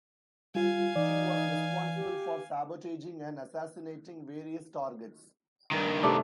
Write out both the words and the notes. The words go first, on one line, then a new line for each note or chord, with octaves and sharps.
She was responsible for sabotaging and assassinating various targets.
G3 F4 F5 G#5
E3 D#4 D5
G4
G2 D#3
C3 A3 D4